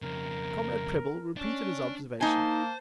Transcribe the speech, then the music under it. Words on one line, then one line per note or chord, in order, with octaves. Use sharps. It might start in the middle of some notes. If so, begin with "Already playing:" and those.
Comrade Prebble repeated his observation.
F2 C#3 A#4
C#4 D4
A#3 D#4 C5 G#5 A5